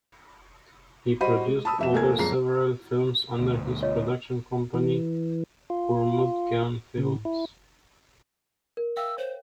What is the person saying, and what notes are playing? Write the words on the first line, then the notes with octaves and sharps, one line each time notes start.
He produced other several films under his production company Curmudgeon Films.
G3 F#4 C5 D#5 B5 D#7
G#3
A5 B5 D#6 E6
F2 E5 E7
A#1 D#2 A4 A#4 G#5 G#6
F#1 F2 A#2 G#3 A#5 C7
D2 B2
F4 C#5 D#5
E3
F4
C#3
E4
A#4
E5 F5 G5 E6
C5 C#5